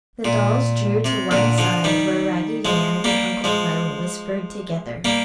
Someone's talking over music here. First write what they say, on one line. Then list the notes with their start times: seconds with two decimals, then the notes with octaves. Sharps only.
The dolls drew to one side, where Raggedy Ann and Uncle Clem whispered together.
0.25 A#2
1.04 C3
1.31 A#2 D3
1.58 D3 F3
1.84 D#3 G3
2.65 F3 G#3
3.04 G3 A#3
3.44 F3 G#3
5.05 G3 A#3